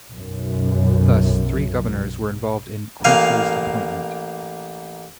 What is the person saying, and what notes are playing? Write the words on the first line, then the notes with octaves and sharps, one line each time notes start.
Thus, three Governors were involved in Quince's appointment.
B1 F#2
A1 A#3 F5 G#5